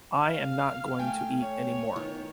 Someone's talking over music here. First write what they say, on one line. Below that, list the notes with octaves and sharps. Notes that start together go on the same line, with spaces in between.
I am not going to eat any more.
F5
A3 G5 G#5
C#5
D#3 B3